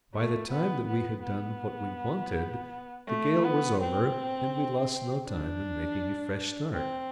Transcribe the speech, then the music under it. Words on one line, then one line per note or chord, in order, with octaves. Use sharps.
By the time that we had done what we wanted, the gale was over, and we lost no time in making a fresh start.
A3
B3
B3
B3
A3
B3
C4
D4
C4